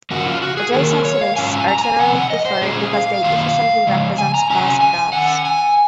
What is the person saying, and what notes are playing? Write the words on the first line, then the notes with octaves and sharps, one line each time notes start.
Adjacency lists are generally preferred because they efficiently represent sparse graphs.
C#3 F3 A#3 F#4
F4
F#4
G#4
D#3 F#3 A#3 A#4
C#5
F5
G#2 F#3 C#4 F4 G#5
A#5
A#5
G#5
C3 F3 C4 F#5
F#5
D#5
C5
A#2 G#3 C#4 F4 G#4
F5
F#2 D#3 A#3 F4 F5
C#3 F3 G#3
G#5
A#5
C3 F#3 C#4 G#5
G#5
D#3 A#3 C#4 F#5
G#5